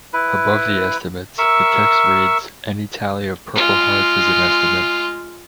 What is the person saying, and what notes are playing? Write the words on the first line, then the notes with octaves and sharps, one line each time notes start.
Above the estimates, the text reads, Any tally of Purple Hearts is an estimate.
E4 B4
A#4 E5 C#6 E6
G#3 F4